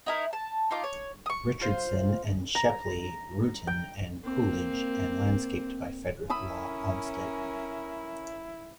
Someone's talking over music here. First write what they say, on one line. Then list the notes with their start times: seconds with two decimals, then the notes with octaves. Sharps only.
Richardson and Shepley, Rutan and Coolidge and landscaped by Frederick Law Olmsted.
0.06 D#4 E4 A#4
0.33 A5
0.71 D#4 F4 D6
0.84 C#5
1.26 C#6 D#6
1.61 F4 C5
2.55 A#5
3.67 G5
4.25 A#3 C4
6.30 C#4 E4 A#4 B5 D#6 E6